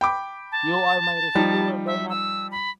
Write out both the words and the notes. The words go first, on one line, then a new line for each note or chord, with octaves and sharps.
You are my rescuer, Bernat!
G5 B5 D6
A5
F3 G3 D#4
E5
E6
B5